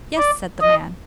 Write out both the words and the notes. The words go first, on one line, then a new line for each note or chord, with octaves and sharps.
"Yes," said the man.
D5
D#5